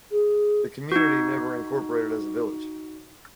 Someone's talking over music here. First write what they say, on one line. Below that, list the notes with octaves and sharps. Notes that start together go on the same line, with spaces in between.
The community never incorporated as a village.
G#4
D#4 F#4